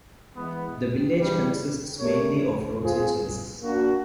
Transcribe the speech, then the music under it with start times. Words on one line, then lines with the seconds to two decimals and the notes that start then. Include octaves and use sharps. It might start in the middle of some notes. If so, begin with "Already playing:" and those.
The village consists mainly of roadside services.
0.36 E3 G#3 B3
1.18 C#3 E3 G3
1.99 A3 D4 G4 A#4 C#5
2.81 C4 F4 G#4
3.62 A#3 D4 F#4 A#4